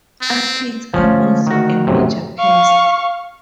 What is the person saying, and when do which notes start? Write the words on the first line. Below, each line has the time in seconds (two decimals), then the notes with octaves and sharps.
Aphids are also a major pest.
0.22 C4
0.94 D3 F3 A3 C#4
1.47 D#3 F#4
1.87 B1 F#2 C3
2.39 F5 C#6